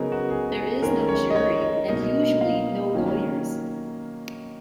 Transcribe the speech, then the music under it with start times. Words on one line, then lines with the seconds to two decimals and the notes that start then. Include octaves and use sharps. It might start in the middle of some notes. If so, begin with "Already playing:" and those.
There is no jury and usually no lawyers.
Already playing: C#3 F#3 B3 D#4 G#4 A#4
0.12 F#4
0.30 G#4
0.56 G#4
0.83 D#3 G#3 C#4 A#4
1.09 C#5
1.30 D#5
1.36 C#5
1.62 D#5
1.88 B2 A#3 D#4 D#5
2.41 F5
2.94 D#3 F#3 A#3 C#4